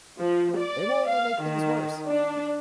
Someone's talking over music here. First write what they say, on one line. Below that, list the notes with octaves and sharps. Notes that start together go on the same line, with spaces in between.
They will only make things worse.
F3
D5
F5
D#3
D4